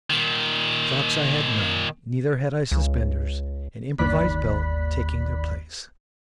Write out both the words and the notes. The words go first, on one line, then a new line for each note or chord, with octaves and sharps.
Socks I had none; neither had I suspenders, an improvised belt taking their place.
A#2 D#3
C#2
G1 D#2 D5 B5 F#6 B6